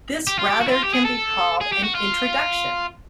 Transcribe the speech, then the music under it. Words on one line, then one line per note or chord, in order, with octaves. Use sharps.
This rather can be called an introduction.
G4
F4
G4
F#4
E4
F4
G4
G#4
A4
G#4
G4
F#4
F4